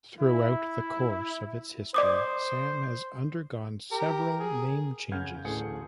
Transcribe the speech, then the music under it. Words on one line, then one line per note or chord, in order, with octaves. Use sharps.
Throughout the course of its history, Sam has undergone several name changes.
E4
C5 D5 D6 D#6
G4 A#4
G#4
F#2 C#3 F#5 F6 G6 G#6
D1 A1 D2 A2 G#4 C#7